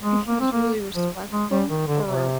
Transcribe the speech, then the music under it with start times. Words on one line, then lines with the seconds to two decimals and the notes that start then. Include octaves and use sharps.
He was really respectful or
0.02 G#3
0.27 A#3
0.40 C4
0.52 A#3
0.95 F3
1.32 G#3
1.50 G3
1.69 D#3
1.87 D3
2.06 C3